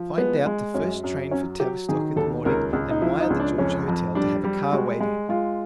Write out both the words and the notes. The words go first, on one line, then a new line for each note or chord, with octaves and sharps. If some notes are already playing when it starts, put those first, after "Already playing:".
"Find out the first train for Tavistock in the morning and wire the George Hotel to have a car waiting."
Already playing: F3
G#3 B3
G#3
F#2 C#4
F#2
F#3 C#4
F#3 G4
D#3 G#4
D#2 A4
C#2 A#4
C#2
D#4
F3 E4
D#4
C#2
D4
F2 C#4
F2
G3 D4
G3
G#3 F#4
G#3
G#3 F4